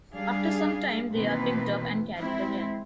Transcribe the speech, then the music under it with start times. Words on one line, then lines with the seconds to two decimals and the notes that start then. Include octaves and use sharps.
After some time they are picked up and carried again.
0.13 G3 D4 G#4 F5
1.13 B2 D#3 E3 A#3 C4 B4
2.19 G#3 C4 E4